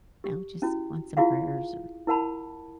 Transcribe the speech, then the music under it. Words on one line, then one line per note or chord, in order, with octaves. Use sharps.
you know, just want some prayers or
G4
C#4 E4 F#4
E4 F4 G#4 F5 F#5
E4 A#4 F#5 A5 B5